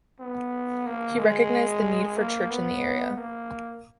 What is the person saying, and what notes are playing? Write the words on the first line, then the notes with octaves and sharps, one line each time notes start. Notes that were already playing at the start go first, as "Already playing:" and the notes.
He recognised the need for church in the area.
B3
A#3
G#3
A#3
B3
A#3